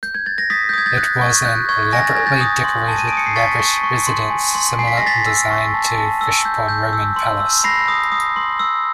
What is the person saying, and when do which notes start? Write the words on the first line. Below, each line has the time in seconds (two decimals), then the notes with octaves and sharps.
It was an elabotrately decorated lavish residence similar in design to Fishbourne Roman Palace.
0.03 G6
0.15 G#6
0.26 A6
0.38 A#6
0.50 D#6 A6 B6
0.69 G6
0.73 D#6 G#6
0.86 G6 A6
0.97 F#6
1.21 C#6 G#6
1.45 F#6 G6
1.69 C#6 G#6
1.93 G#5 A#6
2.04 A6
2.15 G#5 G#6
2.26 G6 A6
2.41 D#6
2.64 C6
2.88 A5
2.98 D#7
3.08 D7
3.12 D#6 C#7
3.26 C7
3.36 C#6 A6 B6
3.59 C#6
3.83 C#6
4.07 C6
4.31 G#5
4.54 C6
4.79 G#5 C7
4.87 B6
4.97 A#6
5.02 G#5 A6 B6
5.26 E6
5.50 C#6
5.74 A5
5.98 A5
6.21 E6
6.45 G6
6.68 G6
6.93 E6
7.16 C6
7.40 E6
7.64 B5 A#6 C7
7.88 D#6
8.12 D#6
8.36 C6
8.59 E6